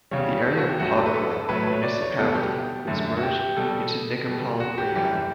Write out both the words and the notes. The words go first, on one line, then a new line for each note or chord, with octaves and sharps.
The area of Pokrov Municipality was merged into Nikopol Raion.
E2 C#3 G3 C#5
A4
F#4
G4
G2 F#3 A3 F#4
G4
A4
B4
A4
A4
A2 F#3 A3 B4
B4
C#5
D5
C#5
E2 B2 G3 A4
G4
F#2 D3 A3
F#4
G4
G4
B2 G3 A4
B2 G3
F#4
G4
F#2 E3 G3 G4